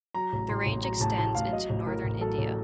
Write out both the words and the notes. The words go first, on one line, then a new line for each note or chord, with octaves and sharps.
The range extends into northern India.
F#3 A#5
A1
A2 C6
A1
F#3 A#5
A1 A5
A2 A5
A1 F5
F#3 D#5
A1
A2 A#4
A1
F#3 A4
A1